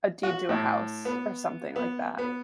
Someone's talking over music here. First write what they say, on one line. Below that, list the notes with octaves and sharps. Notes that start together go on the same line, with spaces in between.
a deed to a house, or something like that,
F#4
A2
B3
B3
B3